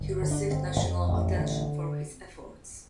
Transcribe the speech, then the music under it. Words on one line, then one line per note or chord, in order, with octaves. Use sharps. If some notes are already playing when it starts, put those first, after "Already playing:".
He received national attention for his efforts.
Already playing: G1
D3
D4
G1 C4
F2
A1
D3